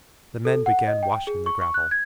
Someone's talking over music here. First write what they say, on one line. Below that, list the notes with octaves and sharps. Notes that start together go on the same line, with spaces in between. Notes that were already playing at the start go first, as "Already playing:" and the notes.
The men began washing the gravel.
A4
F#5
D#5
G5
G#4
C#6
C#6
F#6
G#6